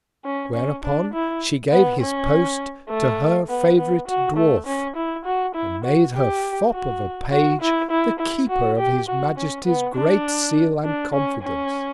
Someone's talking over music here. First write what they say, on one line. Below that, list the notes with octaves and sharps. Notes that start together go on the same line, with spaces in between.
Whereupon she gave his Post to her favourite Dwarf, and made her Fop of a Page the Keeper of his Majesty's great Seal, and Confidence.
C#4
C#4
D4
E4
B3
C#4
A3
B3
B3
F#4
A3
C#4
E4
F#4
E4
F#4
G4
F#4
F#4
E4
E4
E4
F#4
G4
F#4
C#4
B3
D4
D4
C#4
C#4